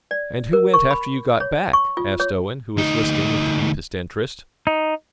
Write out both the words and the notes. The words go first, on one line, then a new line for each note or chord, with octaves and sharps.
"And who went after you got back?" asked Owen, who was listening with the deepest interest.
D5
A#4
C#6
B5
C#5
C#6
F4
C#5
D2 D#4
D#4